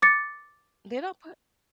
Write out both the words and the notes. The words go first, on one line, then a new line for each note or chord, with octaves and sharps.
They don't put
D6 A6 C#7